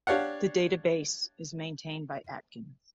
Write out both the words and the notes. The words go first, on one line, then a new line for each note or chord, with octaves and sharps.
The database is maintained by Atkins.
D4 G4 C#5 D5 F5 F#5